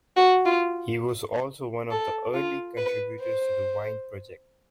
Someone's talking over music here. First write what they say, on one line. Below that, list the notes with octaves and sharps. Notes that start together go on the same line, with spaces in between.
He was also one of the early contributors to the Wine project.
F#4
F4
A4
F4
B4
C5